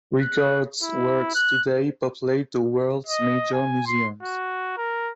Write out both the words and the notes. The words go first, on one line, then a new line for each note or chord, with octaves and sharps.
Rigaud's works today populate the world's major museums.
F#6
E4
F#6
D#5
G#5
C6
F#4
A#4